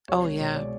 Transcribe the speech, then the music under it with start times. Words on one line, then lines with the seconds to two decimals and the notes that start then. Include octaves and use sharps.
Oh yeah.
0.08 C2 C#5
0.24 G#3
0.39 B2 C#5
0.56 G#3 D5